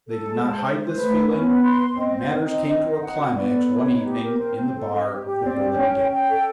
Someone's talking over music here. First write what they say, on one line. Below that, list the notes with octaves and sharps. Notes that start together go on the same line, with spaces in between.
They did not hide this feeling. Matters came to a climax one evening in the bar of the "Bull and Gate."
A4
G#3 A5
C5
C5
C5
A3 B4
E4
B3 C#4
B4
C6
C6
C4 D#5
C5
C4 D#4
D#5
D#5
D#4
F#5
F#4
B3 D5
A4
C#5
D#4
G4
A#4
C4 C5
C5
A4
D#5
G4
G4
C4 D5
G4
C#4 G5
G5
G5
A4